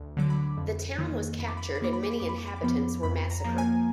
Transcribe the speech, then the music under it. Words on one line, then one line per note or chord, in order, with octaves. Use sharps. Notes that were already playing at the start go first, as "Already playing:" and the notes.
The town was captured and many inhabitants were massacred.
Already playing: D2
D3 F#3 D6
B5
F2
D#3 A#3
F2 B5
D6
B5
D6
B5
D#3 A#3 D6
B5
D6
B5
F2 D6
B5
D6
B5
D6
F3 B3 B5
F2 B5
A#5
F3 A#3
G#5